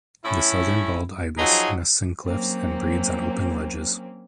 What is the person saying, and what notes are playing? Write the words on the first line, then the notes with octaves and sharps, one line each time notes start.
The southern bald ibis nests in cliffs and breeds on open ledges.
A2 C#4 E4
F3 F#3 D#4 G#4 A#5
F#3 A#3 C4 C#4